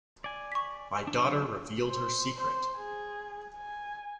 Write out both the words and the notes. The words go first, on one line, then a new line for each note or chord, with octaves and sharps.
My daughter revealed her secret.
D5 G#5
C#6 B6
F#3 D4
C5
C5
G#4
G#5